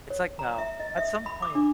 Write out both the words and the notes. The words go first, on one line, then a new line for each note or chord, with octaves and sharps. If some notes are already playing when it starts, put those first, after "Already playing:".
It's like, no, at some point
C#5
A#5
E5
D#5
E5
B5
D6
D4